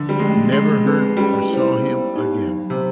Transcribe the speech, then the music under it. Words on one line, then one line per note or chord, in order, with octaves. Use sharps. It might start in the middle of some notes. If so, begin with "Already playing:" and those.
never heard or saw him again.
Already playing: D3 F3
G3
G#3 A3 C#4
G#3 A3
C4 D#4 G#4 B4
G3 C#4
E4 G#4 C5
B3
D#4 G4
F#3
C3